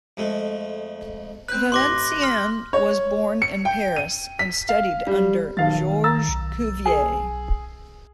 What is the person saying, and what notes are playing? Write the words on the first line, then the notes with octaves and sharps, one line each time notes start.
Valenciennes was born in Paris, and studied under Georges Cuvier.
F2 G#3 A3
C4 B4 F#6 G6
A1 B4 C6 D6 A#6
C6 F6
C#5
C#7
G5
D#7
B6
F5
G3
B1 D#3 F5 A6
A#5 E6 A6
B1
G#4